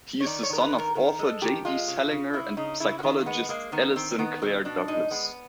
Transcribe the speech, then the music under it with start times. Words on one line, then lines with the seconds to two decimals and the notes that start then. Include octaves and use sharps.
He is the son of author J. D. Salinger and psychologist Alison Claire Douglas.
0.20 C#5
0.26 D#3 D5
0.43 C#5
0.49 D#3 A#4
0.61 B4
0.72 D#3
0.78 A#4
0.95 D#3 A#4
1.19 G#3 A4
1.41 D#3 G4
1.65 G#3 F4
1.88 C#3
2.11 C#3
2.33 C#3 E4
2.57 C#3 D#4
2.80 C#3 E4
2.99 F#4
3.03 D#3 F4
3.26 G#3 B3
3.49 G#3 A#3
3.72 D#3 B3
3.96 D#3 C4
4.11 C4
4.18 D#3 B3
4.42 B2 C4
4.65 B2 D4
4.88 G#3 D#4
5.11 G#3 B3